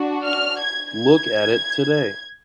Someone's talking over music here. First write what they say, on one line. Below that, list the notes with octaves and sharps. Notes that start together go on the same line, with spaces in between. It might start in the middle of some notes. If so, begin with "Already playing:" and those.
Look at it today.
Already playing: D4 F#4
F6
G#6
G#6